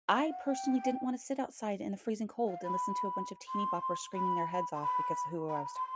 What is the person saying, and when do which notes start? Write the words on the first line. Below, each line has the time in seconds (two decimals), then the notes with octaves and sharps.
I personally didn't wanna sit outside in the freezing cold and listen to a bunch of teenyboppers screaming their heads off because of who I was
0.13 F5
0.30 F#5
0.46 G5
2.47 F5
2.64 B5
3.49 C6
4.14 B5
4.74 C6
4.82 B5
5.49 B5
5.57 A#5
5.65 B5
5.74 C6